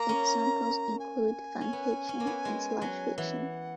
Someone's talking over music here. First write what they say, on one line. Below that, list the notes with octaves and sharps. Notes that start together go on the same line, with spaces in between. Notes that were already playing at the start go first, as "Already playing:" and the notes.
Examples include fan fiction and slash fiction.
Already playing: A#3 A#5
C#4
G#5
C#4
B3
B3
C#4
A#3
B3
G#3
F#3
E3 F#5